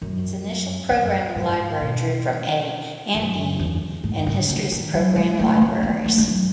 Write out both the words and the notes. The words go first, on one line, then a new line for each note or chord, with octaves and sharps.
Its initial programming library drew from A and E and History's program libraries.
F#2
F#2
G#2
B2
F#2
E2
G#2
C#3
C#3
D#3
F#3
G#3
A3
C#4
B3
A3
G#3
F#3